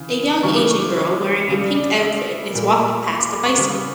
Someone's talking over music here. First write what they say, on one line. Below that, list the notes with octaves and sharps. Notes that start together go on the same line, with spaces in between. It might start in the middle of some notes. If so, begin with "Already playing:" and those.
A young Asian girl wearing a pink outfit is walking past a bicycle.
Already playing: C#3 E3
C#3 E3 G3 C#6
D6
C#6
C#5
C#3 G3
D5
D5
E5
A#2 G3
C#6
D6
D6
C#6
C#3 G3 C#6